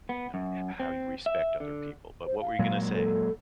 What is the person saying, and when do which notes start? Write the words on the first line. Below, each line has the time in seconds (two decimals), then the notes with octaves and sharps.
you know, ho how you respect other people, but what were you gonna say?
0.09 B3
0.34 F#2
0.80 C4
1.26 E5
1.60 D3
2.27 C5
2.41 F5
2.59 A#2 F#3 G#3
2.94 A4